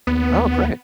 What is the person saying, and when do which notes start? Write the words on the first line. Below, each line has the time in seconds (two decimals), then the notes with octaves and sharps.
Oh, great.
0.07 D#2 B3